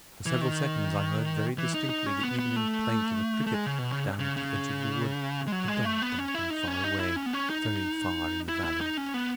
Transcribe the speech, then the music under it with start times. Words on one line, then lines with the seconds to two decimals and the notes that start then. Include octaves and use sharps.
For several seconds I heard very distinctly the evening plaint of a cricket down at the edge of the wood, a dog barking far away, very far in the valley.
0.26 E3
0.41 D#3
1.58 E3
1.74 D#4
1.89 D#4
2.06 C#4
2.23 B3
2.39 B3
2.56 A3
3.46 A3
3.54 G#3
3.66 C#3
3.79 B2
3.92 C#3
4.20 C#3
4.37 C#3
5.47 G#3
5.52 F#3
5.68 G#3
5.85 A3
6.02 B3
6.18 C#4
6.35 E4
6.50 D#4
6.67 C#4
6.84 D#4
7.00 E4
7.16 C#4
7.26 B3
7.33 C#4
7.50 D#4
8.49 E4
8.64 E4
8.81 D#4
8.97 C#4
9.14 B3